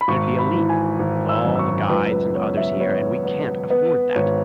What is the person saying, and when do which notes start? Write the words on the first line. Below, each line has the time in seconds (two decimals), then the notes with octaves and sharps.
There'd be a leak, with all the guides and others here, and we can't afford that.
0.01 B5
0.08 G#1 C#6
0.38 B5
0.54 E3
0.69 G#5
0.99 G#1
1.29 E6
1.45 F#2
1.56 E6
1.59 C#6
1.90 C#2 B4
2.12 B4
2.35 B3 C#5
2.57 E5
2.80 B3 C#5
3.25 B3
3.70 B3 B4
4.16 G#1 C#5